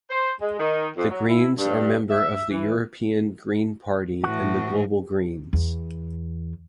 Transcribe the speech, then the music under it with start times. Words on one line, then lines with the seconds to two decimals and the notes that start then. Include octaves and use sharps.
The Greens are member of the European Green Party and the Global Greens.
0.10 C5
0.41 G#3
0.59 D#3
0.96 F2
1.10 F#3
1.28 E4
1.58 G2
2.10 E5
2.50 E3
4.24 A2 E3 F#4
5.53 E2